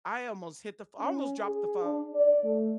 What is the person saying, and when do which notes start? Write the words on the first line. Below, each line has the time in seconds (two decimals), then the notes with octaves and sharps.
I almost hit the fl I almost dropped the phone.
0.99 C#4
1.44 G#4
1.81 D4
2.14 D5
2.44 A3